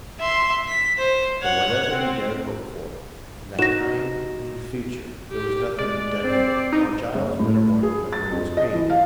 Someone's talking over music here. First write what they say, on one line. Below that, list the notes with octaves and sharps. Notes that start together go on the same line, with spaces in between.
But whatever he dared hope for in that kind from the future, there was nothing to be done yet, while Giles Winterborne's memory was green.
E5 C6
B6
C5
C#5 F#5
C4
D#4 F#4 A#6 E7
G4
G#3 D5
C4
D#4
F#1
A2
G#4
A6
F2
D#5
E3
F5